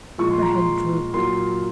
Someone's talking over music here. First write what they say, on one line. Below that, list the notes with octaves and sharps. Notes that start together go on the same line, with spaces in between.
Her head drooped.
A#2 F3 G#3 C#6
C6
A#5
C6
A#2 F#3 A#3 C6